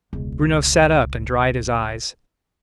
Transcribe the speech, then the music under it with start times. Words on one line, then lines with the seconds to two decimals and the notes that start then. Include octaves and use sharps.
Bruno sat up and dried his eyes.
0.13 E1 C#2